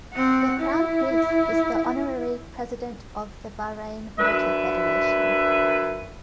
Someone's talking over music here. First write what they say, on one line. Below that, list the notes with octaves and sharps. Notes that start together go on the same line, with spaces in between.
The Crown Prince is the Honorary President of the Bahrain Motor Federation.
C4 F#5
E4
F#2 D4 B4 E5